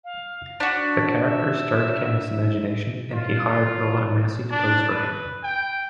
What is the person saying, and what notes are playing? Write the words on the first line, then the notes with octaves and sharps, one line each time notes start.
The character stirred Caniff's imagination, and he hired Ilona Massey to pose for him.
F5
D4 F#4 B6
E5
F4
D4
B4
G5